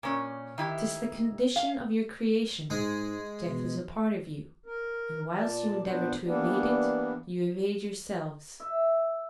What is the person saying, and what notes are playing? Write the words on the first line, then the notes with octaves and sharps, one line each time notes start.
'Tis the condition of your creation; death is a part of you, and whilst you endeavour to evade it, you evade yourselves.
A#2 C#4
D#3 E4 G4
F5
G#2 G#3 G#4
B2
A#4
A#2 D5 A5
A#2 B3 D4 C5
E3 G3 A#3 B3 D4
E5